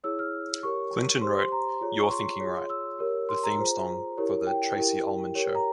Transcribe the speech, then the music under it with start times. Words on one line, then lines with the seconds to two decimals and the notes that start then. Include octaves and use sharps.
Clinton wrote "You're Thinking Right", the theme song for "The Tracey Ullman Show".
0.04 E4 G#4 C#5 E6
0.19 F6
0.63 G4 A#4 C#5 C#6
1.21 G4 C5 C6
1.37 C6
1.52 A#5
1.81 F4 G#4 C#5
1.99 C#6
2.10 C6
2.40 F4 G#4 C#5
2.70 E6
2.99 G4 A#4 C#5
3.29 C6
3.44 A#5
3.59 F4 G#4 C5
4.17 E4 G4 A#4 C#5
4.47 G5
4.76 E4 G4 A#4
5.35 G4 A#4 C#5
5.55 A#5